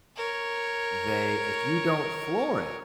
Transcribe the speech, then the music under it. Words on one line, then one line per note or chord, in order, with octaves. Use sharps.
they if you don't floor it
A#4 C#5